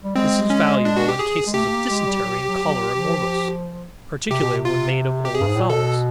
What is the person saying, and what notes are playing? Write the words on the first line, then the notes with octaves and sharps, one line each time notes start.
This is valuable in cases of dysentery and cholera morbus, particularly when made of old fowls.
G3
G#3 C4
C#4
D4
F#4
G4
G#4
G#3
A3 G4
A3
A#3
G#3
G3
F#3
F#3
G3
F#3
F3
C3 G4
B2
C3
F4
G4
G#4
G2
G#2
A2
A#2
B2 A4